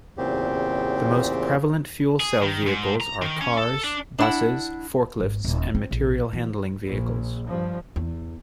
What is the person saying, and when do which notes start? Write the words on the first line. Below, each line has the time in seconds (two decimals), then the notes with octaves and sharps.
The most prevalent fuel cell vehicles are cars, buses, forklifts and material handling vehicles.
0.18 E2 A#2 C#3 C4 G4
2.20 G#4
2.42 D#3
2.67 G#2
3.01 A#5
3.22 D#3
3.42 C#4
3.57 A4
3.84 D4
4.19 D4 E4 F#5
5.20 G#1
5.44 D#1
5.75 C4
5.91 A#1
6.33 E3
6.85 A#1
7.46 G2 F3
7.96 E2